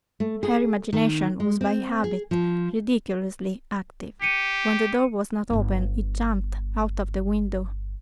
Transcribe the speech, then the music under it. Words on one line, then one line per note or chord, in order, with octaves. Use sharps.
Her imagination was by habit ridiculously active; when the door was not open it jumped out of the window.
A3
G#4
D#3
G#3
C4
G#4
F3
G4 C#7 D#7
D1 G1